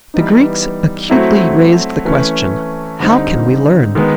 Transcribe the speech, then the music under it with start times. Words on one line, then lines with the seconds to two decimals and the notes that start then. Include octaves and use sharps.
The Greeks acutely raised the question: How can we learn?
0.14 E3 G3 B3 D#4
1.10 F#3 A3 C4 E4
2.05 E3 A3 C#4
3.00 D3 G3 C4 D#4
3.95 D#3 G#3 B3